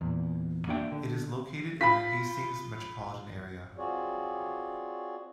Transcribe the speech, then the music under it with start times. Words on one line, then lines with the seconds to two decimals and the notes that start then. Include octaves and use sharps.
It is located in the Hastings Metropolitan Area.
0.01 E2 A#2
0.67 A#3 D4 F#4 D5 E5 G5
0.92 D3
1.81 F4 B5 B6
3.77 C4 F4 F#4 G#4 C#5 D5